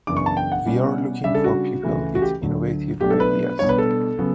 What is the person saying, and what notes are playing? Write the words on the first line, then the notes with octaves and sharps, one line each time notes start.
We are looking for people with innovative ideas.
F#2 C#3 E3 B3 D4 D6
C#6
A5
G5
F#5
B2 G3 C#4 E4
C#3 G3 D4 E5
A4
F#4
C#2 C#3 E3 A3
F#4
G4
D2 D3 F#3
B2 F#3 A3 D4 G4
A4
B4
B2 G3 D4 C#5
B4
A4
C#3 F#3 B3